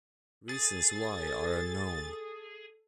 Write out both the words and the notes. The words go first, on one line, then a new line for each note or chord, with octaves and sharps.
Reasons why are unknown.
G#4 A4 A6